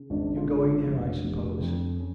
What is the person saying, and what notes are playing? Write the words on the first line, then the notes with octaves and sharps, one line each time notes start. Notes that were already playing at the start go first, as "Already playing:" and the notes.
You're going there I suppose.'
Already playing: C#3
G#1 D4
F4
D3 D4
F1
F1
F2
C#4